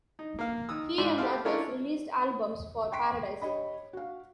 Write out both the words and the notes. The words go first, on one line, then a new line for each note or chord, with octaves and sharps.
He and others released albums for Paradise.
D#4
A#3 F5
D#3 D#6 E6
G#2 E4 D5 C6
G4 A4 C5 F5
C#4 D4 E4 F4 A#4 C#5
G5 C6 C#6 B6 D7
G4 C#5 D#5 B5
F#4 F5